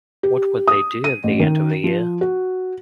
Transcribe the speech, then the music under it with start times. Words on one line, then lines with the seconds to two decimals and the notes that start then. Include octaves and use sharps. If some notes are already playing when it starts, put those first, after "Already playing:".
What would they do at the end of a year?
0.23 G4
0.68 D#6
1.04 D#7
1.24 A1
1.40 D#3
1.84 F3
2.21 F#4